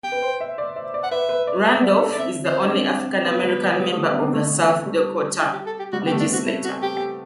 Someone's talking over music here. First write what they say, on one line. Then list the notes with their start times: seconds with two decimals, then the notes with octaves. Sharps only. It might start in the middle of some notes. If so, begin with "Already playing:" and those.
Randolph is the only African American member of the South Dakota Legislature.
0.04 G5
0.12 B4
0.22 C5
0.40 E5
0.58 D5
0.76 E5
0.94 D5
1.04 F#5
1.11 B4 E5
1.29 B4
1.47 D5
1.65 E5
1.83 D5
2.01 A4
2.12 D5
2.18 C4 E5
2.45 C5
2.65 D4
2.72 C4
2.99 C4
3.26 B3 B4
3.43 G3
3.62 F#3
3.80 G3
3.92 A3
4.06 B3
4.14 D4
4.19 C4
4.33 A3
4.86 G3
5.40 E4
5.53 G4
5.66 A4
5.79 G4
5.93 G3 F#4
6.02 B3
6.07 G4
6.11 A3
6.20 D4
6.29 C4 F#4
6.47 E4
6.65 F#4
6.82 G4